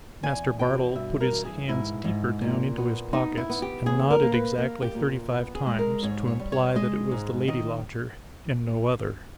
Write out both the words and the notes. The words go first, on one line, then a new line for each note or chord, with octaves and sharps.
Master Bardell put his hands deeper down into his pockets, and nodded exactly thirty-five times, to imply that it was the lady-lodger, and no other.
E2 G#5
B2 G5
G2 E5
A#4
E3
G#4
G#2 E4
G#2
A#2
B3
B3 D#4
E4
B3
G4
D#2 G#4
A#4
A#3
B4
A#3 A#4
G4
A#2
B3
G#4
G#3
A#4
G#2 C#5
C#5
G3
C#5
G#3 D#5
G#2
D#3 D#5